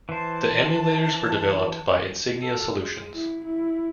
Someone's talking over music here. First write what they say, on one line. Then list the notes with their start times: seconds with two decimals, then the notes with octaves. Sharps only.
The emulators were developed by Insignia Solutions.
0.09 E3 C5 A5
2.43 A4
2.77 G#3
3.13 E4
3.44 E4